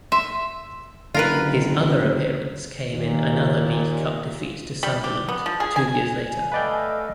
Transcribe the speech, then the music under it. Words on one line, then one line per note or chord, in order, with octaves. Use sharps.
His other appearance came in another League Cup defeat to Sunderland two years later.
E5 C6
F#1 D3 F4 A#4 B4
D#2 A#2
G3
G4
B3
F3
G#4
G#5
G#5
A3 A4 B4 D5 D#5 F5 G5